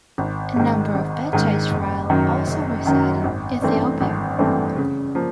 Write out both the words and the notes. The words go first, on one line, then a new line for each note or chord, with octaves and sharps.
A number of Beta Israel also reside in Ethiopia.
G#1
G#2 D#3
G#1
G#2 D#3
F#1
F#2 D#3 F#3
F#1
F#2 D#3 F#3
G#1
G2 E3 A3 C4
G#1
G2 E3 A3 C4
C#3
F3 A#3